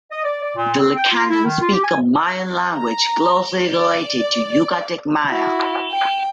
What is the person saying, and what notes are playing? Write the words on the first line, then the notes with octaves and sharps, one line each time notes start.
The Lacandon speak a Mayan language closely related to Yucatec Maya.
D#5
D5
D5
A#2
C4
G5
F4
E4
D#3
F4
G4
G#5
A#5
D5
E4 F#4
G5